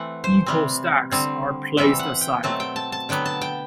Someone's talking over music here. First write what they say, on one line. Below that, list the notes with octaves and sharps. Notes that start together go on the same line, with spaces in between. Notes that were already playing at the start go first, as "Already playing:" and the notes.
Equal stacks are placed aside.
Already playing: E3 A3 C4 F#5
C5
C3 G3 C4
D3 G3 C4
E3 G3 C4 E5
F#5
G5
B2 F#3 A3 C4 A5
G5
A5
A5
D3 F#3 B3 G5
A5
G5